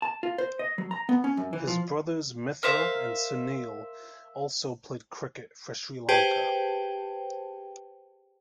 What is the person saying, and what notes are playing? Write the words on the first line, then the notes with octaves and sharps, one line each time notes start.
His brothers Mithra and Sunil also played cricket for Sri Lanka.
A5
F4
C5
D#5
F#3
A#5
B3
C#4
F#2
E3
F3
A#4 C5 E5 F5
G4 G#4 B4 C5 G5 A5